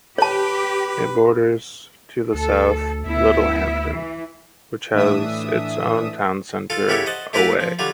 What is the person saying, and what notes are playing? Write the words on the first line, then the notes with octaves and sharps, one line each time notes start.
It borders, to the south, Littlehampton, which has its town centre away.
G4 B4 C#5 A5
D2 A4
D2 B3 E4 E5
E3
A2 E3 A3 D4 E5 D#6
F4 A4 F5
C#3 E4 F#4 G4 A4 C#5
C5 D#5 F#5 A5
A3 E4 G4 A#4 B4 F5
F3
D3 F#3 G3 F4